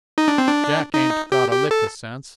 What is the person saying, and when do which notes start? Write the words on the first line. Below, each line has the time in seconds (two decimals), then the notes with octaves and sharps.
Jack ain't got a lick uh sense.
0.18 D#4
0.28 D4
0.38 C4
0.47 D4
0.94 D#4
1.32 G4
1.51 G4
1.71 A4